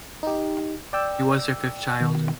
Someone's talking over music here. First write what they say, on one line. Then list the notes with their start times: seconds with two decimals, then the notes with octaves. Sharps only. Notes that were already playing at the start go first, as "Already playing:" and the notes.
He was their fifth child.
0.23 D#4 G4
0.93 D5 G5 E6
2.00 B2 D#3